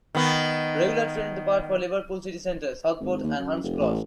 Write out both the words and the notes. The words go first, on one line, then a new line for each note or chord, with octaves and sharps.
Regular trains depart for Liverpool city centre, Southport and Hunts Cross.
D#3 B3
G#1
D#2
F#2
F1
A1